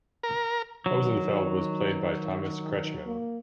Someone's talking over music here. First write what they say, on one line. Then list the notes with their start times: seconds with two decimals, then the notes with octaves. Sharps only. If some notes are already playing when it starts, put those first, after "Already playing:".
Hosenfeld was played by Thomas Kretschmann.
0.23 A#4
0.86 D#3 F#3
3.06 A#3